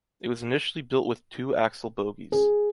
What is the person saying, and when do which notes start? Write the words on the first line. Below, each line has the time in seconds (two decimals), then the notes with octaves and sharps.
It was initially built with two-axle bogies.
2.32 G#4